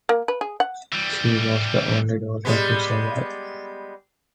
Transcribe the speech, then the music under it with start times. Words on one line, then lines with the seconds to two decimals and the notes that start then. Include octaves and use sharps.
She was the only daughter to survive.
0.09 A#3
0.28 B4
0.41 G#4
0.60 F#5
0.93 E3 G3
2.45 G3 G#3 B3